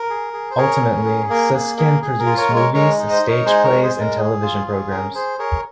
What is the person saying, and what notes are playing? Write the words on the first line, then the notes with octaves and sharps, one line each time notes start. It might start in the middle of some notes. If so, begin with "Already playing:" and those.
Ultimately, Susskind produced movies, stage plays and television programs.
Already playing: A#4
G#4
G#4
C5
G#4 A#4 C#5
C#4
G#4
A#3 A#4
A#3 G#4
G#4 A#4
G#4
A#4
F4
A#4 C#5
G#3
A#4 C#5
G#3 A#4 C#5
D#4
C5 D#5
D#4
A#4 C#5
G#3 G#4 C5
A#4 C#5
G#3
G#4 C5
G#3
A#4
G#4
F4
G#4
C#4 A#4
G#4 C5
G#4 A#4 C#5